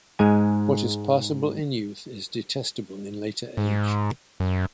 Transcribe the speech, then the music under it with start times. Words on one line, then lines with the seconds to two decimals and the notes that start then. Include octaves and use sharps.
What is passable in youth is detestable in later age.
0.19 G#2 G#3 G#5
3.57 G#2
4.40 F#2